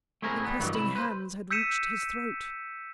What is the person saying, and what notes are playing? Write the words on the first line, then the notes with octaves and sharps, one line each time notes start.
The questing hands had reached his throat!
A3 C4 E4 G#4 A#4
G3 B3
G2 D#3 E3 F#3
C2 E5 B5
B4 C5
E6 G6 B6 C#7 D#7 E7